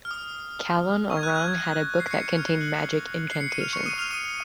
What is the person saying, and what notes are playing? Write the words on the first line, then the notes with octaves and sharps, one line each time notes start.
Calon Arang had a book that contained magic incantations.
F6
D#6
C#6
G#6
F#6
G#6
G#6
A#6
C7
C#6 C#7
F6 F7
F#6 F#7
C7
C#7
D#7
F6 F7
C#6 C#7
D#6 D#7
F6 F7
D#6 D#7